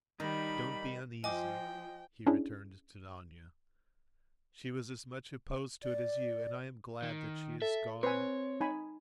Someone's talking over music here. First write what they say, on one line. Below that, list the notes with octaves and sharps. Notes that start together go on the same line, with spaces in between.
Don't be uneasy," he returned to Dounia, "she was as much opposed to it as you, and I am glad that she is gone.
D#3 G3 D#4 B5
F3 D#5 G5 G#5 D6
C#4 D4 E4 G#4
D5
D#3
A4 E5
C4 B4 C#5 G#5
D#4 G#5 B5